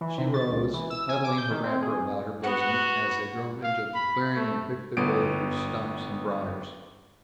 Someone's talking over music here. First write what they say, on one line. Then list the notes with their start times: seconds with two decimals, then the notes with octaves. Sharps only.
She rose, huddling her wrapper about her bosom, as they drove into the clearing and picked their way through stumps and briars.
0.01 E3
0.18 C3
0.34 A6
0.51 C#2
0.73 E3
0.90 E6
1.09 G#5
1.24 D6
1.38 G6
1.51 D#3
1.63 C4
1.82 G#4
2.43 B3 F#4 F#5
3.63 F5
3.94 B5
4.36 A3
4.97 G1 B3 D7